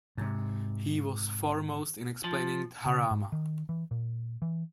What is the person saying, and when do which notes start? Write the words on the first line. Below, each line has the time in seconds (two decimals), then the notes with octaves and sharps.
He was foremost in explaining Dharma.
0.17 G#2 C3
2.24 F3
2.86 C#3
3.11 G#2
3.32 D#3
3.69 E3
3.91 A#2
4.42 E3